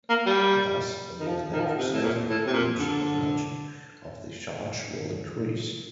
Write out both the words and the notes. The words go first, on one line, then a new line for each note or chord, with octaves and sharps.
Thus the electrostatic potential energy of the charge will increase.
A#3
G3
D#3
F3
D#3
F3
D#3
C3
A2
A#2
A2
C3
A#2
D3